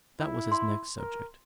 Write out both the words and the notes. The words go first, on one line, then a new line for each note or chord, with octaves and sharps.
That was his next subject.
E4
C6
A#4